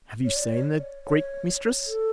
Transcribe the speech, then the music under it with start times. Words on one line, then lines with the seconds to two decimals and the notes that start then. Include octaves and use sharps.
"Have you seen the Greek mistress?"
0.25 C#5
0.36 D5
0.49 C#5
1.06 C#5
1.87 A4